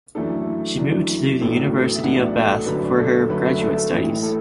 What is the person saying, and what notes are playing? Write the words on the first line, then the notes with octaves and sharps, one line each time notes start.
She moved to the University of Bath for her graduate studies.
F#2 E3 A3 D4 A4
F#2 E3 A3 D4
A1 A2 F#3 B3 D4 A4
A4
A4
E5
A1 A2 F#3 B3 D4 F#5
D5
A4
A4
F#2 D3 F#3 A3 B4
D5
A4
A4
F#2 D3 F#3 A3 B4
E5
A4
A4
A1 A2 E3
A4